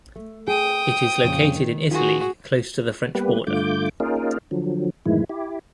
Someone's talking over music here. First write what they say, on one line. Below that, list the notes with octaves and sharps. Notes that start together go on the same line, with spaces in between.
It is located in Italy close to the French border.
A3
G#4 G5 D#6
F2 A#2 C#3
D#3
D#3 F4 F#4 G#4
G3 A#3 B3 G4 B4
G2 D3 A3 F4 D6 G6
A#3 C#4 D#4 F4 G#4 A#4
D3 F3 F#3
F#2 A2 D#3 E3 G#3 E4
E4 G4